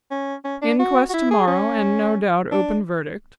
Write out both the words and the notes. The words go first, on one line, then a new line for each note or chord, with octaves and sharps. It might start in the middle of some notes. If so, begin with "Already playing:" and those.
Inquest to-morrow, and no doubt open verdict.
C#4
C#4
D4
F#4
F#4
E4
G#4
C#4
D4